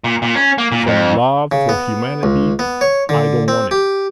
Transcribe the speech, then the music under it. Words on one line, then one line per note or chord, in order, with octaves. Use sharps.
From love for humanity I don't want it.
A#2
A#2
C#4
A#3
A#2
F2
C#3
B3
C#2
B3
C#5
D3
C4
G4